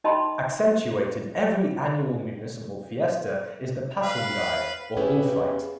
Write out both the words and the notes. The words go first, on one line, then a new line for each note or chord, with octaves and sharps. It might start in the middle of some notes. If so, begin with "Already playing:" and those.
Accentuated every annual municipal fiesta is the "Pasungay" or bull fight.
D#4 D#5 G5 A5 B5 C6
B4 F5
B3 C#4 E4 G4 G#4 B4